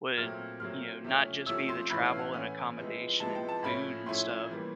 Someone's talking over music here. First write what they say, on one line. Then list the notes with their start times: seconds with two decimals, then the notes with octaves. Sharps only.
would, you know, not just be the travel and accommodation and food and stuff,
0.17 A#2 F#3 A3 C4 F6
0.60 A#2 F#3 A3 C4 F6
1.04 C3 F3 A3 C#4
1.46 C3 F3 A3 C#4 E6
1.69 C6
1.90 A2 E3 A3 C#4 B5
2.05 F5
2.19 F#5
2.33 A2 E3 A3 C#4 G#5
2.77 C3 F3 G#3 B3 E4
3.20 C3 F3 G#3 B3 E4 A5
3.35 G5
3.49 A5
3.63 A2 F3 A3 C#4 E4 B5
4.06 A2 F3 A3 C#4 E4 C6
4.50 C3 E3 G3 A#3